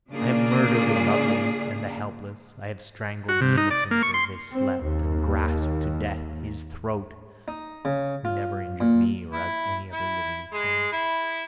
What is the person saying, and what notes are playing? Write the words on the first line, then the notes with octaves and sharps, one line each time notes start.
I have murdered the lovely and the helpless; I have strangled the innocent as they slept and grasped to death his throat who never injured me or any other living thing.
C#3 A#3 D4 F4 G#4 D5
F#4
C3
D#4
D5
A#3
C#6
C6
C4
D#2
D#4
C#3
F4
A#2
E4
E4
G#3
E4